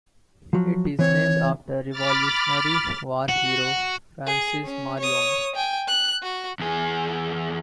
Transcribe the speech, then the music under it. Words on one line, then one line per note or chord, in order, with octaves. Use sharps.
It is named after Revolutionary War hero Francis Marion.
F3 F#3
E3 C4 C#5
B5 D6 F6 A6
F#4
G#4
C#4
C#5 D#6
G5 G#5
F#6
F#4
E2 G#4